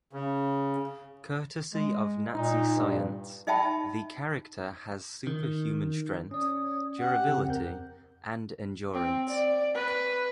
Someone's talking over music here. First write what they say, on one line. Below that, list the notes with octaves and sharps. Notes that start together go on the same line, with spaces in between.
Courtesy of Nazi science, the character has superhuman strength, durability, and endurance.
C#3
G#3
A#2 D#4
G2
D#4 D#5 E5 G5 A5 B5
D#3
C#4 C#5 D5 D#6
G4 F#5
C#3 C4
F2 C4 A#4 G6
C4
D5
B4